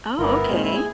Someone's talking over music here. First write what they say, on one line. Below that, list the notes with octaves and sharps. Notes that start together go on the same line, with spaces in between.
Oh, okay,
G1 B3 E4 A#4
A#2 G#3 C4
E4
G#4 G#5